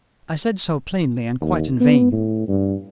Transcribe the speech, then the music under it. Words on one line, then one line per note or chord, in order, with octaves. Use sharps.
I said so plainly--and quite in vain.
D#2
B3
A2
G2